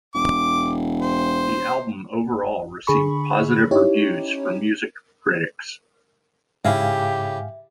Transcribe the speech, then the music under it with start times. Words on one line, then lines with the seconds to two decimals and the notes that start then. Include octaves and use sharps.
The album overall received positives reviews from music critics.
0.15 E1 D6
1.02 C5
2.87 D3 G#4 B5 C#6
3.71 C#4 D#4 E4 G4 C#5
6.65 G#2 C#3 E4 G4 E5 F5 G#5